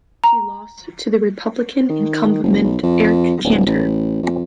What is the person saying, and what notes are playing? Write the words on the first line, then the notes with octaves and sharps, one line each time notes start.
She lost to the Republican incumbent, Eric Cantor.
A#5
D#3
F#1
B1
F2
D1
A1
F2